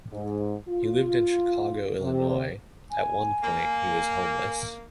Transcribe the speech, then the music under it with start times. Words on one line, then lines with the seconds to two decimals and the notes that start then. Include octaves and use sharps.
He lived in Chicago, Illinois; at one point, he was homeless.
0.12 G#2
0.69 F4
2.01 C3
2.91 G#5
3.43 A#3